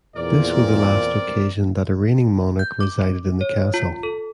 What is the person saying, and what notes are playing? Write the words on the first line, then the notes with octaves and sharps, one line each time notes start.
This was the last occasion that a reigning monarch resided in the castle.
E2 A#2 C4 A#4 D5
G6
D6
C#5
F4
A4